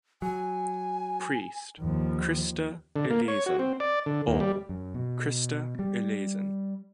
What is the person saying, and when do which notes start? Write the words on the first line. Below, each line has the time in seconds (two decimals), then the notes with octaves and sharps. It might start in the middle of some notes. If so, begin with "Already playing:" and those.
Priest: Christe, eleison. All: Christe, eleison.
0.22 F#3 G#5
1.80 D#2 F3
2.96 D3
3.10 A#3
3.28 C#5
3.46 F#4
3.59 C4
3.80 D5
4.06 D3
4.28 D#2
4.40 G3
4.69 F#2
4.94 B2
5.79 G3